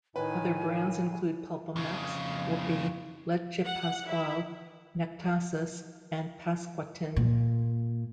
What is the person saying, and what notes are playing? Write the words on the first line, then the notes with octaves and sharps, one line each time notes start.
Other brands include PulpaMex, Woopy, Leche Pascual, Nectasis and Pascuatin.
A2 D#3 B4 G#5
F2 C#3
F#5
E4
A#2